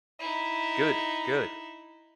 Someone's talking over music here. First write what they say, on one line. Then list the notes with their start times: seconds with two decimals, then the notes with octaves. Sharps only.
Good, good.
0.19 D#4 E4